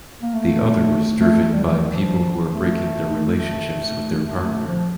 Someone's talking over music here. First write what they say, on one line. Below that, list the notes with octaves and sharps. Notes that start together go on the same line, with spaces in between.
The others driven by people who are breaking their relationships with their partner.
A#3
A3
A3
A3
G3
F3
D#3
F3
A3
A3
A3
A3
F3